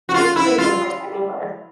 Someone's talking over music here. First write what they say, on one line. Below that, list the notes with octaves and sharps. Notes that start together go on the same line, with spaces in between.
basically, for the first time ever.
F#4
F4
E4
F4